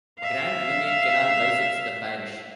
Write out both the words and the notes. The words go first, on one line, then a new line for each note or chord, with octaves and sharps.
The Grand Union Canal bisects the parish.
E5 F5